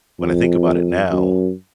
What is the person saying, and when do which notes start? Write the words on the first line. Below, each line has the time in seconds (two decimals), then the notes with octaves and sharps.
when I think about it now,
0.20 F2
1.11 F#2